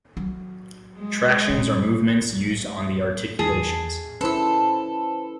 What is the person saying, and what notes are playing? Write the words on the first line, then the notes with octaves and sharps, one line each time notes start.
Tractions are movements used on the articulations.
F#3
G#3
A#2 C#3
E2 G#4 A5
C#4 E4 A4 B4 C5 E6